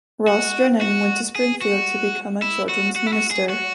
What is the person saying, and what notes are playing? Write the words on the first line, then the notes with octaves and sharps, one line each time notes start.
Ross Drennan went to Springfield to become a children's minister.
F#4
F#4
G#4
F#4
E4
F#4
F#4
E4
F#4
G#4
F#4